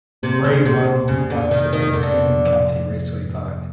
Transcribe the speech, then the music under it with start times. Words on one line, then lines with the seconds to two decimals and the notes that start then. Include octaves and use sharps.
Gray won once at Kern County Raceway Park.
0.23 C3 A#3
0.44 C#3
0.65 C3 A#3
1.08 F2 C#3
1.30 D3
1.51 C3 D#3
1.73 D#3
1.93 F2 D3
2.37 F3